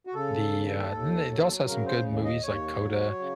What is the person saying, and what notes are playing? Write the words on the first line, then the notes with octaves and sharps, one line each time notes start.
the, uh the they also have some good movies like CODA
F#4
C#3 A4
D#2
D#2
F#3
C#3 A#4
C5
D#2
D#5
D#2 C#5
F#3
C#3